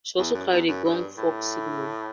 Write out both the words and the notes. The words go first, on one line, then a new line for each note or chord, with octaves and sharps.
She also carried a gong fog signal.
E2
F#2
E2
F#2
G2
A2